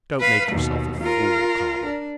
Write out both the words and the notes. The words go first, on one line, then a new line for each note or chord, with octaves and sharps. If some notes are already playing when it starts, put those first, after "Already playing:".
"Don't make yourself a fool, Caudle."
B4 F5
D#2 B2
F4 A#4
D4